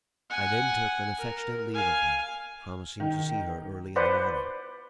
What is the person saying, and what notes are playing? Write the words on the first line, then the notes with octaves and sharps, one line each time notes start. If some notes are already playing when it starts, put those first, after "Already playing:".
I then took an affectionate leave of her, promising to see her early in the morning.
F#5 G#5
A#4
F5 G#5
D#3
B4 C5 D5 F#5